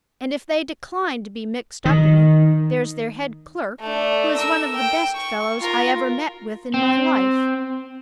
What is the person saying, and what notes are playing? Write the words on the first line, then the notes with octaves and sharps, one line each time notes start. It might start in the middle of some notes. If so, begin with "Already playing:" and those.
And if they decline to be mixed up in it, there's their head clerk, who is one of the best fellows I ever met with in my life.
D#3
A3 D4
A#4 E6
G5
C#6
F4 A#4
C4